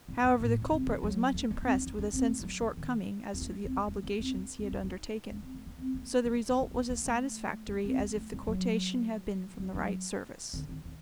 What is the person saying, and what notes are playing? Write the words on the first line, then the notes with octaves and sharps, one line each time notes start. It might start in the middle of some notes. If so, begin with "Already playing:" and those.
However, the culprit was much impressed with a sense of shortcoming as to the obligations he had undertaken; so the result was as satisfactory as if the quotation had been from the right service.
G2
G2
A2
D3
C3
D3
F#3
A3
A#3
C4
D4
D#4
D4
C4
A3
F#3
G3
D#3
D#3
A#3
A3
C4
A3
A3
A#3
C4
D4
C4
D4
D#4
D4
C4
A3
A#3
C4
A#3
G3
D4
A#3
A#3
A#3
A3
A3
C4
A#3
A3
G3
F#3
G3
F#3
D3
D#3
D#3